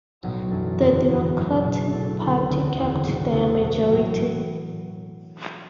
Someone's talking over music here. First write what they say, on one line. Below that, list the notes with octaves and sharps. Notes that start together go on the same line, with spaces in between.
The Democratic Party kept their majority.
B1 A2 F#3 B3
F#2 E3 D4 A4
F#1 E2 D3
E1 E2 E3 D4 F#4
F#1 F#2 F#3
B2 B3 D4
B2 A3 E4 A4
D2 D3 A3 E4 A4
E1 D2 D3
F#1 E2 D3 B3 D4
B1 A2 E3 B3 D4
D2 D3 B3 E4 A4
E2 B2 F#3 D4 F#4
A1 A2 F#3
A2 E3